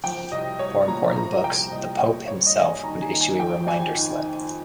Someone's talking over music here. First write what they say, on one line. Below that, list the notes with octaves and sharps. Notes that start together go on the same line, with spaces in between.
For important books, the pope himself would issue a reminder slip.
F3 G5
C2 D#5
C2 C#5
A#2 A#5
F3 A#5
C2 G5
C2 D#5
A#2 C#5
G2 C#5
D#5
G2
G#5
D#3 A#5
G#5
D#3
G#5
F2 G5
F2 G#5
D#3
D#3